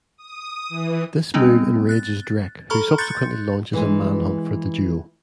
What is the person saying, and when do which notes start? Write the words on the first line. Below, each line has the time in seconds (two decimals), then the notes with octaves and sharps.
This move enrages Drek, who subsequently launches a manhunt for the duo.
0.17 D#6
0.69 E3
1.34 G3 B3 C4 D4
1.89 F#6 A6
2.70 A4 A#5 B5 C#6 F6
2.98 C6 F#6 G6 A6 C#7
3.73 E3 G#3